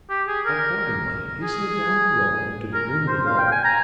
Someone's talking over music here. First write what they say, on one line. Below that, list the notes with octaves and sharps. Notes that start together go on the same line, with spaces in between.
Accordingly he slid down the rope into the room below.
G4
G#4
A#4
G#4
A#4
C5
F5
G5
G#5
A#5